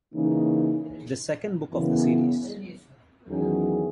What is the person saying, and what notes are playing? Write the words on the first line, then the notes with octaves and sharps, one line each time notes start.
The second book of the series.
C#3 E3 A#3 D#4
F#2 C#3 E3 B3 E4
E2 D#3 F#3 C#4 G#4